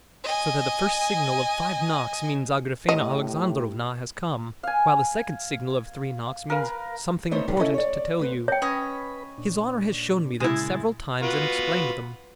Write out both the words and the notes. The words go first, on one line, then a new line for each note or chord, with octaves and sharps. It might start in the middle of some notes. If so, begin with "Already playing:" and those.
So that the first signal of five knocks means Agrafena Alexandrovna has come, while the second signal of three knocks means 'something important to tell you.' His honor has shown me them several times and explained them.
D#5 G#5
A2 G4 D#5
F5 G#5
A#4 B4 F5
A3 B3 D#4 C5 C#5
G2 D3 D#3 G3
C#4 E4 A4 D#5
C#5 D5
D2 B4 C5
C#5 G5 A5
C#4 B4 D#5 B5
A#2 D4
A#2 C#3 G#3 E4 A6
F4 F#4 B4